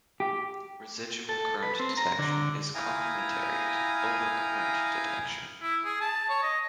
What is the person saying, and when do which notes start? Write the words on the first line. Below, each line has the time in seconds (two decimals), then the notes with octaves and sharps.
Residual-current detection is complementary to over-current detection.
0.20 G4
1.29 A4
1.63 B4
1.79 C4
1.97 A#5
2.19 D3
2.75 E4 F5 G5 G#5 A#5 D#6
5.62 E4
5.85 G#4
6.01 A5
6.29 C#5
6.42 D#5